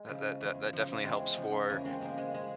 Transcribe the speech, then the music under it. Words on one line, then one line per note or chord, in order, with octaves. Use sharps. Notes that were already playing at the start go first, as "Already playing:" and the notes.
that that that definitely helps for,
Already playing: G#3
C#3 F3
E2
C#3 F3
E2 G#3 C4
C#3 F3
E2 A#3 C#4
G#3 C4
C#3 F3 A#3
G#3
G#3